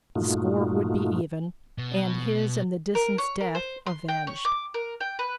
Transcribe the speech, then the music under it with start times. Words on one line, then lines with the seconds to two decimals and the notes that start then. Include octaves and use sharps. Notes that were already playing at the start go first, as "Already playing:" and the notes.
The score would be even, and his and the Disans' death avenged.
0.15 G2 A#2 A3 D#4 F4 F#4
1.78 B2
2.95 A#4
3.18 C#5
3.41 A#4
3.55 C5
3.86 C6
4.08 G5
4.27 C#5
4.45 D6
4.74 A#4
5.00 G5
5.19 B4